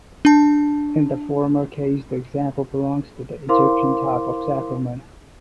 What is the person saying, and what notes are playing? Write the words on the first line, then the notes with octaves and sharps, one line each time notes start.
In the former case the example belongs to the Egyptian type of sacrament.
D4 A5
E4 A#4 C5 F5 C6 D6